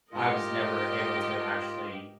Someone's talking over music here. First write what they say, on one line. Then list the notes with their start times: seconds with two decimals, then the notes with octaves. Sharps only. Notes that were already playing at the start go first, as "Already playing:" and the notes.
I was never able to actually
0.12 G#2 F4 G4 A#4 D#5